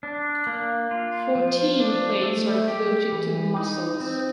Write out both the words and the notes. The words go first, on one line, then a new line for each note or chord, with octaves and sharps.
Fourteen plates are devoted to the muscles.
D4
A#3
F4
F3
D4
A3
G4
E3
D#4
C4